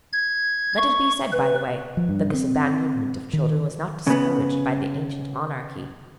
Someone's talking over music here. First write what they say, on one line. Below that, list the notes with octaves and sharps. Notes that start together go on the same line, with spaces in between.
Let it be said by the way, that this abandonment of children was not discouraged by the ancient monarchy.
G#6
C#6
B4
F3
G2
C4
D#3
C#3 B3